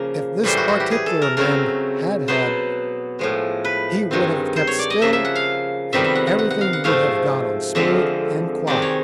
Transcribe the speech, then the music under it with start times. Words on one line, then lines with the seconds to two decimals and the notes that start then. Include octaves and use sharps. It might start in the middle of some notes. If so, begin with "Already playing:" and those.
If this particular man had had, he would have kept still, and everything would have gone on smooth and quiet.
Already playing: C#3 F3 A#3
0.43 A2 E3 G3 C5
0.57 F#4
0.68 F#4
0.80 G4
0.91 G#4
1.06 A4
1.22 A#4
1.37 C#3 F#3 A3 C4 A#4
2.28 B2 F#3 B3 C5
3.19 A2 F3 G#3
3.65 B4
4.11 G2 D#3 G#3 C4
4.56 C5
4.67 C#5
4.79 D5
4.90 D#5
5.01 C#3 F3 A#3 E5
5.13 E5
5.25 F#5
5.35 F5
5.93 F2 C3 D#3 G3 B3 E5
6.04 E5
6.15 F#5
6.27 F#5
6.39 F#5
6.50 F#5
6.61 F5
6.73 F#5
6.84 G#2 F3 A3 C4 F5
7.75 F2 D3 F3 G#3 C4 E5
8.67 C3 D#3 G#3 C4 D5
8.82 C#5